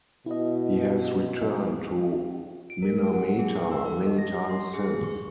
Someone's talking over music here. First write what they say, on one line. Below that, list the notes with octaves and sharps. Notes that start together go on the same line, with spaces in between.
He has returned to Minamata many times since.
B2 E4 D#5
D7
A#4
F#5
G#4
E6
A4
D#5
A#6
C6
G#4
C#6